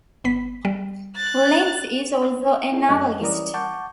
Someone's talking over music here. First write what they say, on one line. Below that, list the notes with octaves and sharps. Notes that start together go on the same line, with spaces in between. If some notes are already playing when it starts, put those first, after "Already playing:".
Lynch is also a novelist.
G1 B3 B6
G3
F#6 A6
C#4 D#4 E4 G#4
F#2 A3 D#5 F#6
E3 G3 C#4 A#4 D5 D#6
F#5 A5 C#6 D6 G6